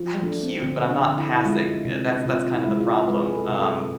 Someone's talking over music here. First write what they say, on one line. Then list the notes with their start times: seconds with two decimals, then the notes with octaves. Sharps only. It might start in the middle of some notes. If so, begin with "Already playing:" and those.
I'm cute, but I'm not passing. Eh, that's that's kind of the problem. Um,
Already playing: F3
0.22 A3 D4
0.43 C4
0.63 D3 C4
0.91 D4
1.04 D3
1.17 E4
1.36 E4
1.45 G#3 F4
1.85 C3
2.26 C3 F4
2.54 E4
2.67 G#3
2.80 F4
3.08 G#3 B4
3.24 G#4
3.35 A4
3.49 C3
3.62 A4